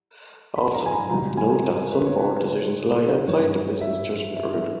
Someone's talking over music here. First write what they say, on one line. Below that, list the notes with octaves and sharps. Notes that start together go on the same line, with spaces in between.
Also, note that some Board decisions lie outside the business judgment rule.
B5
A#5
G#5
A#5
C#2 B2 G3 A#5
G#5
A#4
B4
C#5
B4
G2 D#3 G3 C#5
E5
E5
E5